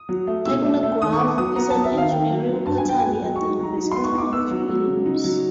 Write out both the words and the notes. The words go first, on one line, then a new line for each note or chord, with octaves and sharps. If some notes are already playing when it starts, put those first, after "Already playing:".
"Technograph" is an engineering quarterly at the University of Illinois.
Already playing: D#6
F#3
A3
B2 E6
A3
A3
D#3 D#6
C#6
B3 D6
F#3 D#6
B3 A#5
F#3 A5
E5
D#3 F5
D#3 G5
F#3
F#3
G2 A5
G#5
F#3 G5
B3 G#5
F#3 G5
C#6
D#4
F#3 A#5
D#4
B3 C6
C#6
D#4 D6
B3 E6
F#3
F#3
C#3
D#4
F#3